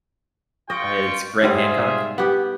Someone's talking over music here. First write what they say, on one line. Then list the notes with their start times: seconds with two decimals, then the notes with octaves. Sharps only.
Uh, it's Graham Hancock?
0.70 F4 D#5 G5 C#6
1.42 G#2 G3 C4 F4 G#4 E5
2.18 B3 G4